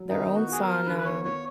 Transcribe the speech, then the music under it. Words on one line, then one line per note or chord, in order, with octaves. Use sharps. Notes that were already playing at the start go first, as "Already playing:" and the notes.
Their own sauna.
Already playing: F#3
D#3 D#4
B3
F#4
F4 G#4
A#4
F#3
D#3 B4
B4
B3 C#5
F4 C#5